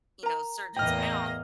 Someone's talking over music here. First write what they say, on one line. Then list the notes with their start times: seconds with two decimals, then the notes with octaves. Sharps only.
you know, surgeon's mouth
0.23 A#4 A#5
0.77 E2 A2 A#3 D#5 G5 F6 A#6